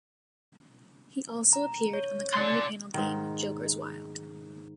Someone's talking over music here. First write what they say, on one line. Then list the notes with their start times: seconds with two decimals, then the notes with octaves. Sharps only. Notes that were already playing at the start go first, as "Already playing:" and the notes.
He also appeared on the comedy panel game "Jokers Wild".
1.53 A#5
1.93 C#5
2.34 D5 C6
2.94 G#2 D#3